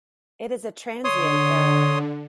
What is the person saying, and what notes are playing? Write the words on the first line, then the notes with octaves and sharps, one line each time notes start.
It is a transient error.
D3 C#5 C6 D#6